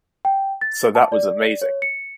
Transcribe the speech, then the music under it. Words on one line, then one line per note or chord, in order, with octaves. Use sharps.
So that was amazing.
G5
A6
A5
D5
C#5
C#7